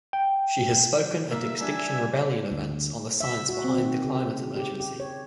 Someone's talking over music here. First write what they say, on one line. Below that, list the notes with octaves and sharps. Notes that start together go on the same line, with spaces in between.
She has spoken at Extinction Rebellion events on the science behind the climate emergency.
G5
A#3 E5
G3 D4 G#5
D2
E5
F#4
C4
D#3
C#3
G4
G4
C#5